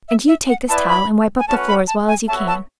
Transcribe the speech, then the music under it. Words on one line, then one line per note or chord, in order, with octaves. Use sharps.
And you take this towel and wipe up the floor as well as you can.
E5
E5
F#5
B3 E4 B4 D5 A5
B5
G#5
A3 C#4 F#4 B4 F#5 A5
B5
A5
G#5
B3 F#4 A4 C#5 E5 A5
A5